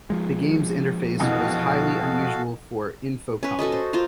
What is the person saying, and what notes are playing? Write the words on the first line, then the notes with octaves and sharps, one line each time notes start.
The game's interface was highly unusual for Infocom.
F3 G#3
F2 B2 E3 F#4 A4 F5
C#4 B4
F#4 A4 B4 D#5
C5
F4 A#4 C5 A#5